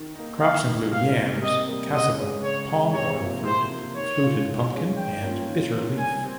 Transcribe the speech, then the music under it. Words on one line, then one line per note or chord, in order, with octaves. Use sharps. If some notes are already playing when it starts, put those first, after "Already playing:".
Crops include yams, cassava, palm-oil fruit, fluted pumpkin and bitter-leaf.
Already playing: D#3
A#3 D#4
D#3 F5
A#3 D#4
C3 F5
G3 A#3
C3 D#5
G3 A#3
C#3 D#5
G#3 C#4
C#3 C#5
G#3 C#4
C3 C#5
F3 A#3
C3 C5
F3 A#3
D#3 C#5
G#3 C#4 F4
D#3
G#3 C#4 F4
D#3 G5
A#3 C#4 F4
D#3
A#3 C#4 F4
G3 G#5
C4